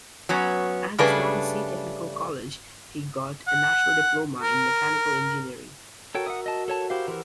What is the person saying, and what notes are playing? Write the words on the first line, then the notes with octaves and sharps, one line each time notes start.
At Swansea Technical College he got a National Diploma in mechanical engineering.
F#3 B3 C#4
C#3 G3 A3 D4 G#4 B4
F#5
A#4
F#4 A4 A#4 C#5 G5
E5 F#5 D#6
D#5 A5
A4 C#5 A5
E4 F#4 G4 C5 F5
E3 A#4 C5